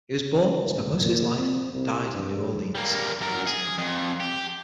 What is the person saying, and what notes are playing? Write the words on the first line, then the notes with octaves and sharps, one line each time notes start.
He was born, spent most of his life, and died in New Orleans, Louisiana.
C#3
E1
A#2
C4
C2
G2
G3 A#3
F#2 A#4
G#4
F2
G4